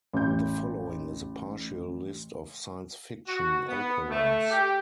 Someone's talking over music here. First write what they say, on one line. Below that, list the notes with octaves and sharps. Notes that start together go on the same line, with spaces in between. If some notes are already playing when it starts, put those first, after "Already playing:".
The following is a partial list of science-fiction operas.
A1 G6
F#4
B3
A3
G4